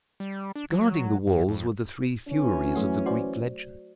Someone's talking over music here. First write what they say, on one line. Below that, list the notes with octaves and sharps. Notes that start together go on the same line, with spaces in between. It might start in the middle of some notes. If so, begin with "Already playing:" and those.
Guarding the walls were the three Furies of the Greek legends.
G3
D4
F#3
F#2
F2
E3 C#4
F#3 A3 F#4
F#4 C5 D5